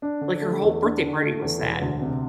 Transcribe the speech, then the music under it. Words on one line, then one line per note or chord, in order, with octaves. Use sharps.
like, her whole birthday party was that.
D4
D3
A3
E2
D4
D3
A3
E2
E1
D2
C3